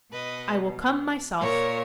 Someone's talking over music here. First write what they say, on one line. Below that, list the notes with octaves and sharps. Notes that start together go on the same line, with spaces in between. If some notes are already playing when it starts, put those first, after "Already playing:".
"I will come myself."
B2 B4 D#5
A#2 A#4 C#5